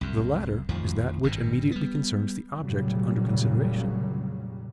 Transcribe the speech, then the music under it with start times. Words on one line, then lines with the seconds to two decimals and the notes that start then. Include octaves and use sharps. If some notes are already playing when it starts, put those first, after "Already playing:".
The latter is that which immediately concerns the object under consideration.
0.01 C2 F#2
0.69 A1 F2 D#3 F3
1.23 G#1 G2 B2
1.72 G3 B3
2.57 F1 A#2 C#3 F#3 G3